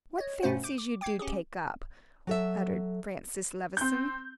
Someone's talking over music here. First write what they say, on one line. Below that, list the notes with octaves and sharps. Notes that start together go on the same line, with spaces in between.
"What fancies you do take up!" uttered Francis Levison.
C#5 D#5
G2 B2 A3 C#4 C5 F#5
D6 G6 D7 D#7
D6
G5 D6 G#6 C7
C#4 G4 G#4
F#3 A4 E5
C4 G6